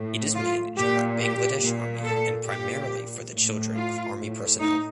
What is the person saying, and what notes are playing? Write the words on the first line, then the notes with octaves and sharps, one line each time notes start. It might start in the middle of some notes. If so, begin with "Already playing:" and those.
It is managed by Bangladesh Army and primarily for the children of Army personnel.
Already playing: A2
F4
A#2 G4
G4
A#2
A4
A#2 G4
A2
F4
A2
D#4